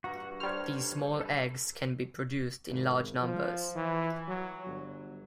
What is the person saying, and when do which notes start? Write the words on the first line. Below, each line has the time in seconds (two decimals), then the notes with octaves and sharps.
These small eggs can be produced in large numbers.
0.04 G2 F#4 A#5
0.40 G3 A4 C5 C#5 F6
1.21 A4 B4
2.68 G#1
3.20 F3
3.75 E3
4.28 F#3
4.66 G1